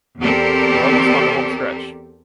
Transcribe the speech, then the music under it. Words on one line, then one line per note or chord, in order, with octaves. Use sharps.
We're almost on the home stretch.
E2 C4 G4 A4 A#4 D5